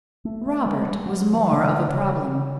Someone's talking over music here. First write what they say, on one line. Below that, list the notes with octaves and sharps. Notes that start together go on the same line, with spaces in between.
Robert was more of a problem.
A3
A3
G#3
G3
F#3
E3
C#3
D3
C#3